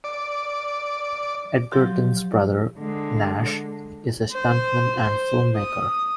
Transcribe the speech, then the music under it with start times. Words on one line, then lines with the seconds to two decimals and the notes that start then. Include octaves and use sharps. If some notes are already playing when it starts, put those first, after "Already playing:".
Edgerton's brother, Nash, is a stuntman and filmmaker.
0.04 D5
1.71 F3 F#3 G4 C6
2.79 D3 G#3
4.32 C5
4.96 C5
5.57 D#6